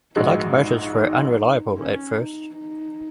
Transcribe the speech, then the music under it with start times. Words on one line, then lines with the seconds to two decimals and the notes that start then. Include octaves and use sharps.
The locomotives were unreliable at first.
0.15 A#1 G#2 G#3 D#4 F#4
1.78 C#4
2.19 D#4
2.59 D#4